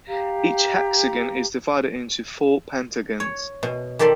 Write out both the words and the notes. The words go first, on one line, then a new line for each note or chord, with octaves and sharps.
Each hexagon is divided into four pentagons.
G4 F5 A#5
C#5
B2
D#3 G4 A4 D5 C6